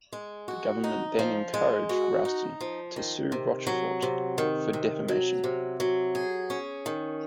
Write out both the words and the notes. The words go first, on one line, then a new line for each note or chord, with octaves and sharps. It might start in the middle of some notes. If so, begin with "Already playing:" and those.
The government then encouraged Roustan to sue Rochefort for defamation.
G#3
F#4
D#4
F3
G#3
F#4
D#4
F3
D#3
C3
F#3
C3
D#3
C3
F#3
C3
F#3
G#4
C#4
D#3